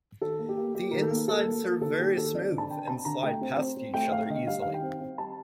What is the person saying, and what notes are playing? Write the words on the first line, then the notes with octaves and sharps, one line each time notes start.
The insides are very smooth and slide past each other easily.
D#3 A4
A#3
G4
A#3
A#3 G4
D#3 A#4
A4
A#3
A#3 A4
A#3
A#3
D#3 A4
A#3 G4
D#3 A4
C4 D5
D3
A5
D3 G5
C4 A5
D3 A#5
A3 G5
C4
C4
C4
A3 G5
A3 F5
D3 D#5
G3 F5
D#3 F5
G5
C4
C4
G3 A5